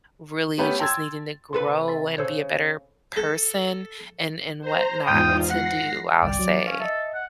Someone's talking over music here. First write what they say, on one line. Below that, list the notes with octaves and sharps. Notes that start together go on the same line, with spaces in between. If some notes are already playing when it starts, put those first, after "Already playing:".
really just needing to grow and be a better person and and what not to do, I'll say.
A3 B3 C#4 G4 A4 B4
G5 A5 C6 E6 G#6 A6
C3 A4 B4 C6
E5 C6 A6
C#3 A4 C5 C#5
A4
C5 A#5
E2 G#2 F4 G5 D#6
F#5 A#6 C7
G1 C2 D5 G5
F#3
C#4 F5
A4 D#5 E5
F#5